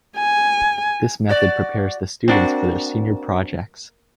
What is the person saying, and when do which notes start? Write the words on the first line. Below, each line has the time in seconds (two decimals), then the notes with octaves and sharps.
This method prepares the students for their senior projects.
0.18 G#5
1.29 F#4 D5
2.28 A#3 C4 D4 F#4